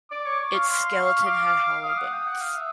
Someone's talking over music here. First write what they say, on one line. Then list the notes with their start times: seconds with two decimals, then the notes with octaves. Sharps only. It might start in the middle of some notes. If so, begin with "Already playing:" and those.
Its skeleton had hollow bones.
0.11 D5 D6
0.25 C#5
0.40 C#6
0.54 F5
0.69 C6
0.98 C#6
1.26 D6
1.84 F5 D#6
1.98 F#5
2.12 G5
2.27 F#5
2.41 F5 D#6
2.56 E5